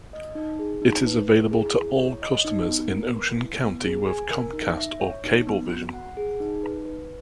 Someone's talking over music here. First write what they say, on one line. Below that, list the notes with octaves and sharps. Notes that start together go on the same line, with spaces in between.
It is available to all customers in Ocean County with Comcast or Cablevision.
D#5
D#4
G#4
D#4
B4
E4
G#4
E4
C#5
D#5
D#4
B3
A#4
B4
E4
B3
G#4
G#5
A#4
D#4
E5
C#5
D#4
B3
F#4
F#5
G#4
D#4
B4
B4